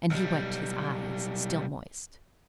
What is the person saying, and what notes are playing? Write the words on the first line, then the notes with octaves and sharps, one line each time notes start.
And he wiped his eyes, still moist.
B1 G3